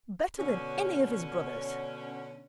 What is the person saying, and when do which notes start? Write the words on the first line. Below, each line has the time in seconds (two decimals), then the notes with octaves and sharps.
Better than any of his brothers.
0.39 B2 D3 C#4